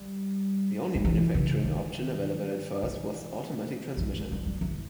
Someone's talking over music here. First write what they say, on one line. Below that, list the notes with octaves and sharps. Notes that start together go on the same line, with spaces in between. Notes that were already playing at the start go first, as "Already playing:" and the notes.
The only manufacturing option available at first was automatic transmission.
Already playing: G3
G3
E3
C#3
D#3
E3
E3
G3
G#3
G3
G3
E3